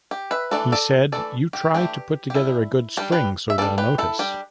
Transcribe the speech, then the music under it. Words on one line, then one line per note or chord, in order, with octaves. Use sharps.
He said: You try to put together a good spring so they'll notice.
G4
B4 E5
E3 A3 D4 A4 D5
A4 D5
E3 A3 D4 A4 D5
G4
E3 A3 D4 G4
G4
G3 D4 E4
G3 D4 G4
G4 B4
E5
G3 D4 A4 D5
G4 B4
E4 A4
G3 D4 G4